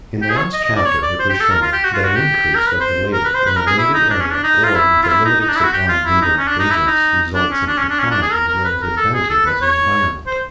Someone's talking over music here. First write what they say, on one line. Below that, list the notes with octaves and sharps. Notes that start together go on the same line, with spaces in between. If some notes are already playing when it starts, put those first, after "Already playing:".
In the last chapter it was shown that an increase of the labor in a limited area or with a limited supply of indirect agents results in a decline in the relative bounty of the environment.
G4
G#4
C#5
D#5
D#5
D5
C#5
D5
C5
G4
A4
A#4
F4
G4
F#4
F4
F#4
G4
A#4
B4
C5
A#4
B4
C5
B4
A#4
G#4
E4
D#4
D4
C#4
D4
D#4
F4
E4
F4
E4
D#4
D#4
D4
E4
F#4
G4
F4
E4
D#4
C#4
D4
D#4
E4
D#4
D4
C#4
D4
C#4
D4
C#4
D4
G#4
A#4
A#4
B4
A#4
A4
G#4
A4
B4
C#5
C5